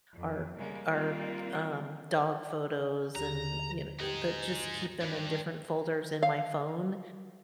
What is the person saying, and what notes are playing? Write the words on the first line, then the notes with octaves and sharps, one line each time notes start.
our our, um, dog photos and, you kno uh, that just keep them in different folders in my phone,
F2
C#3 G3 G#3 A#3
G3 A#3 C4 F4
D#2 D3 G4 A#5
D#4 G4 G#4 G5
G2
F5